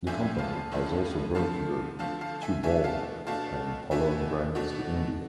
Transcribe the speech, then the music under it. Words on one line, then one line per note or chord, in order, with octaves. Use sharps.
The company has also brought the Tuborg and Palone brands to India.
A2 F3 A3 D4 E5 G#5
F5 A5
A2 F3 A3 D4
D3 F3 A3 F5 A5
D3 F3 A3 F5 A5
F5 A5
E5 G#5
B2 A3 D4 E5 G#5
F5 A5
B2 A3 D4 F5 A5
B2 A3 D4 E5 G#5
B2 A3 D4